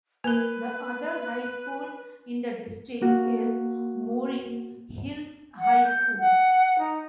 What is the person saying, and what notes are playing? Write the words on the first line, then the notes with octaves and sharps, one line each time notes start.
The other high school in the district is Morris Hills High School.
A#3 A#4 B4
A#3 F#4
F#5
G6
F#5
D#4